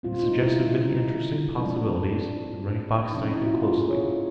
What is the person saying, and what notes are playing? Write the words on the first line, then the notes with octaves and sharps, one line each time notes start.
It suggested many interesting possibilities, and Running Fox studied it closely.
A#2 G3 C4 F4
D#4
E4
D#4
F3 G#3 C4 D4
C3 F3 A#3 C#4 D#4
E4
F#4
F4
G#4
C#5